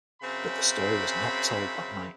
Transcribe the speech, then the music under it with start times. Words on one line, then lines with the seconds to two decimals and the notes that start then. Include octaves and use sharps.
But the story was not told that night.
0.22 F#2 C#3 C4 B5